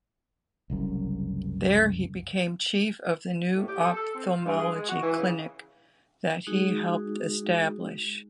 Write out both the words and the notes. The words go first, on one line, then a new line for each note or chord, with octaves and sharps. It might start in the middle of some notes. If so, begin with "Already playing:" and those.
There he became chief of the new ophthalmology clinic that he helped establish.
F#1 C2 F#2
A2
G4
A4
A4
C4
F4
G2
G#4
G#3
F#4
E3
C#3
G#3 D#4 F#4 G#4